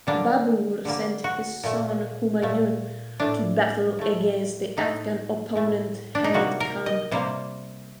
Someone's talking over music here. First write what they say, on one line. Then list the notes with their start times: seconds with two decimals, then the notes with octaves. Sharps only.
Babur sent his son Humayun to battle against the Afghan opponent Hamid Khan.
0.07 D3 G3 A#3 D4
0.85 D3 G3 A#3
1.24 F#4
1.63 A#2 A3
2.42 A#2 A3
3.20 A2 A3 D4
3.99 A2 A3
4.77 A2 A3 D#4
5.56 A2 A3
6.15 D4
6.24 D#4
6.34 C3 G3 A#3 F#4
6.60 A#4
6.86 D#5
7.11 C3 G3 A#3 C5